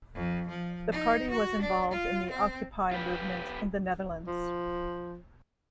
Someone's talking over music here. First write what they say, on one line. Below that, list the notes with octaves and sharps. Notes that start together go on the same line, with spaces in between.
The party was involved in the Occupy movement in the Netherlands.
F2
F3
D#4
F#4
D4
F4
C4
F4 G4 B4
F3